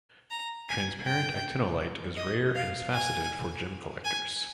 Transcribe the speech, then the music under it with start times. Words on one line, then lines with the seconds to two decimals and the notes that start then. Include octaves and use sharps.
Transparent actinolite is rare and is faceted for gem collectors.
0.31 A#5
0.69 G#5
1.06 G5
2.17 D#5
2.55 F5
2.93 G#5
4.04 G#5